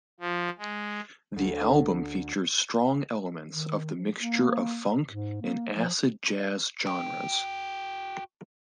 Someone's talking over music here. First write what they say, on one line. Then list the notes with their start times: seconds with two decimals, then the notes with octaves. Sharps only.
The album features strong elements of the mixture of funk and acid jazz genres.
0.20 F3
0.58 G#3
1.36 D2
3.50 D#3
3.96 F3
4.19 A#3
5.09 G#2
5.42 A#3
5.74 F3
6.86 F#4 G5